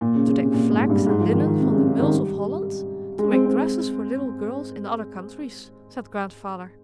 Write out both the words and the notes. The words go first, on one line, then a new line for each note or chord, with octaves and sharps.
"To take flax and linen from the mills of Holland to make dresses for little girls in other countries," said Grandfather.
A#2
C#3
C#3
C3
A#2
G#2
G2
G#2
F3
D#3
D#3
C3
C#3
C#3
D#3
G3
G#3
C4
C4